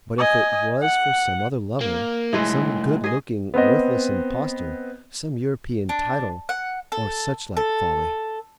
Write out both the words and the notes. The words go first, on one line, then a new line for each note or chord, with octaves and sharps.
But if it was for some other lover, some good-looking, worthless impostor, some European title or suchlike folly--!
D#5 G#5
F#5
A#3
C2 A2 E3 G#3
G#4 D#5
B3 C4 D#5
D4
F#5
A4
A4